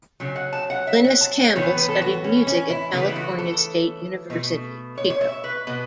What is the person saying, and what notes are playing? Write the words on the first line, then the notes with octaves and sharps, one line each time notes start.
Glynnis Campbell studied music at California State University, Chico.
C#3 F#3
F#5
A5
F#5
E5
F#5
A5
F#5
A2 E3 B3 C#5
B4
A4
F#4
C#4
C#4
E4
C#3 E3 A3 B3
E4
F#4
A4
B2 A3
C#5
C#5
E5
B4
B2 B3